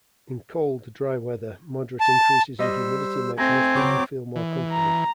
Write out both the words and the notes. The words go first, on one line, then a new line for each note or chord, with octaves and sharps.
In cold, dry weather, moderate increases in humidity make most people feel more comfortable.
A5
G3 C5 D#5 E6
A3 C4 G#5 A#5
C#3 F#3 C#5 D6
E3
A#5